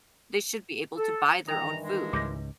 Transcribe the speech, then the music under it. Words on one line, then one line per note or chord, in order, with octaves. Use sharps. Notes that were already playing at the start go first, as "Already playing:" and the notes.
They should be able to buy their own food.
A4
G2 D#3 E3 G5 A#5 D#6
G#3
C#2 G#2 D6 G6 A#6